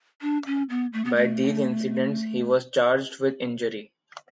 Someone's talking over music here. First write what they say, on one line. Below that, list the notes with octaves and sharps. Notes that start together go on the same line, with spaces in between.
By these incidents he was charged with injury.
D4
C#4
B3
A3
B3
A3